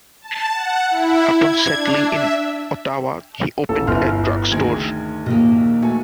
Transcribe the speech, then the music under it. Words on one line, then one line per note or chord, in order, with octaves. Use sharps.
Upon settling in Ottawa, he opened a drug store.
A5
F#5
E4
G#6
D4
E5
A1 A4
G1 E4 C5 C6 F6
D2 D#3 G#4 A#4 G#6
A#1 D#2 A#3 D#5
A3 F#4 G#5